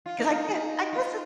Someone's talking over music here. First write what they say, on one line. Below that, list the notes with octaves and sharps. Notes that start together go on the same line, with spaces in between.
'Cause I get I guess it's
F4
D#4
F4
D#4
F4